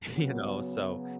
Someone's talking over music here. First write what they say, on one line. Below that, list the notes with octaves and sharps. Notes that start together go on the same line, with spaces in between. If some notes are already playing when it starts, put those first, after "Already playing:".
you know? So,
C#3 F#3 B3